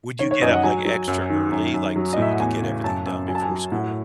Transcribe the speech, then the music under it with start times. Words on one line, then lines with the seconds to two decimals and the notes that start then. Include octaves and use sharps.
Would you get up like extra early, like, so you could get everything done before school?
0.19 D#3 C#5
0.31 C#5
0.42 F#2 D#5
0.53 F#5
0.64 F#3 G#5
0.85 F#3
1.08 F#2
1.30 D#3
1.52 F#2
1.74 F#2
1.96 F#3
2.13 D#5
2.18 A2 E5
2.31 F#5
2.40 E2 G#5
2.62 C#3
2.84 F#2 A5
3.06 F#2
3.28 F#3 G#5
3.35 A5
3.42 G#5
3.50 F#3
3.72 A2 F#5